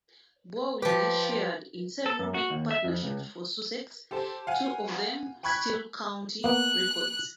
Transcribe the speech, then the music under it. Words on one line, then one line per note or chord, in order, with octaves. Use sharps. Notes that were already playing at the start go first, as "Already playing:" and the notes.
Bowley shared in several big partnerships for Sussex, two of them still county records.
F3 G4 B4
A4
F#2
F#4
D#2
E5
F2
C#2
G4 A4 C5 A5
F5 F#5 G#5
G5 B5 C#6 F#6 G#6 B6
A#3 B3 F#6